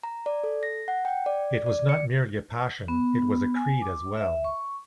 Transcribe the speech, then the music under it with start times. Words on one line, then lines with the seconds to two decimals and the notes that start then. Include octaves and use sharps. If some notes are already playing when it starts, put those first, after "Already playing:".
It was not merely a passion — it was a creed as well.
0.03 A#5
0.26 D5
0.44 A4
0.63 A#6
0.88 F#5
1.05 G5
1.26 D5
1.66 D5
1.89 C#7
2.88 B3
3.55 G#5
3.82 D6
4.17 E5
4.44 C#6